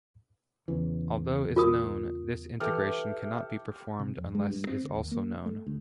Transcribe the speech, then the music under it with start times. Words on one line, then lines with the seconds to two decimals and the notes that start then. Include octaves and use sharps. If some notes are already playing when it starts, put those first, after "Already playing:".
Although is known, this integration cannot be performed unless is also known.
0.68 E2 C#3 E3
1.56 F4 A#4 D#6
2.60 E3 G4 A4 E5 F6
3.99 C3
4.18 F2
4.35 G#3
4.50 G2
4.67 C4
4.83 D2
4.95 D#2
5.11 A#3
5.46 A3
5.67 D2